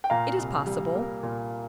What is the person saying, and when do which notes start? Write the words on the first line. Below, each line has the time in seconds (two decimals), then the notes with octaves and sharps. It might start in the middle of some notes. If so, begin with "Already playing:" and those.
"It is possible."
0.04 G5
0.10 A#2 F5 A#5
0.38 C2
0.66 G3
0.95 A#3
1.23 A#2